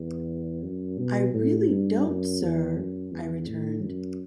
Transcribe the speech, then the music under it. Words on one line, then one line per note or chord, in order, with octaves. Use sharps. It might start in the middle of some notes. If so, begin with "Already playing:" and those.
"I really don't, sir," I returned.
Already playing: E2
F#2
B2
A2
G2
F#2
E2
F#2
E2
A2
F#2